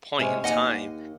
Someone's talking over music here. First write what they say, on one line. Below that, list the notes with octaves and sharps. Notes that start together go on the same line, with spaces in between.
point in time
C3 G#3 C#4
D#2 D#5 F#5 G#5